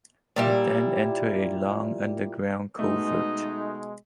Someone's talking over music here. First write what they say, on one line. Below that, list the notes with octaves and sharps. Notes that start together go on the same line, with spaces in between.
It then enters a long underground culvert.
A#2 G3 E4
B2 G#3 A3 D#4 D#5